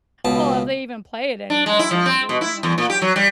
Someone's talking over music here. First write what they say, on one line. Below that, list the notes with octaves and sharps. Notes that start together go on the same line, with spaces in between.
well, if they even play it anymore, like, th you know, ugh.
C#2 B2 A5
D4
G#3
E4
F3
C4
B2
E4
E2
A#2
G4
F#3
G3